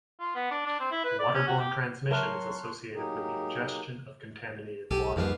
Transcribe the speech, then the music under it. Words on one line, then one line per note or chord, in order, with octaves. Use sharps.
Water-borne transmission is associated with the ingestion of contaminated water.
F4
B3
D4
D4
C4
E4
B4
D5
C#4
F#4
G4
F#3 A#4 E5 A5 C6 C#6 F6 F#6
F#3 A#3 D#4 G4 G#4 A#4
B1 G4 A4 G#5
F2 G#2 F3 G3 A#3 B3